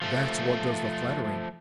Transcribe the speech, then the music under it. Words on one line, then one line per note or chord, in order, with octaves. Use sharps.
That's what does the flattering.
F3 A3